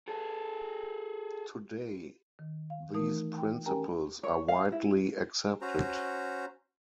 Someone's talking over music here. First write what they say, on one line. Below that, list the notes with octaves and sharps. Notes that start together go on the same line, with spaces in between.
Today, these principles are widely accepted.
G#4 A4
D#3
F5
E3 A3 D#4 A#4 D#6
G5
C#4 G4 A#4 G5 G#5 A#5
C#5
F5
E4
C#4 F#4 C5 A#5